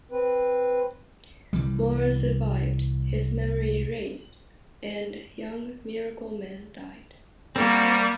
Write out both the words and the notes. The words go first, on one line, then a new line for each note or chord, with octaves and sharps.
Moran survived, his memory erased, and Young Miracleman died.
C4 B4
C2 E3 G3
G3 A#3 C4 F#4